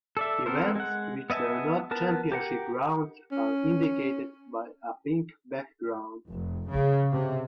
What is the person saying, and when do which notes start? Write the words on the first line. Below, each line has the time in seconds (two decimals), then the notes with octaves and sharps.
Events which were not championship rounds are indicated by a pink background.
0.17 A4 D5 E5
0.46 B3 C4 A4 A#4 C5
0.75 G#3 F#5
1.30 B3 D#5 E5 G#5 A5
1.91 B3 A#4 A5
2.32 G4 A#4 F#5
3.32 C#4
6.27 F1
6.68 C#3
7.12 C3